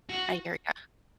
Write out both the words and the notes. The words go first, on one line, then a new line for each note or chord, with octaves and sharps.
I hear ya.
F#4